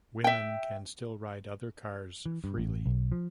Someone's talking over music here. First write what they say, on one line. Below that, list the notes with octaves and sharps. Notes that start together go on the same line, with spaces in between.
Women can still ride other cars freely.
E5 G5
E3
G2
A1
B1
F3